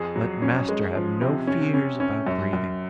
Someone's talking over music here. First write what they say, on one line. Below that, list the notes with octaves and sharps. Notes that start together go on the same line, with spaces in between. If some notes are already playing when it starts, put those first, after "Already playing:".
Let master have no fears about breathing.
Already playing: F2 G#4
F#3
C#4
G#3
F3
C3
C#4
C#4
C#4
F#2
F#2